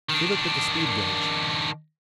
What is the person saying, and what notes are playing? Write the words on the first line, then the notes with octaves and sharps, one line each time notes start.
He looked at the speed gage.
D#3 D4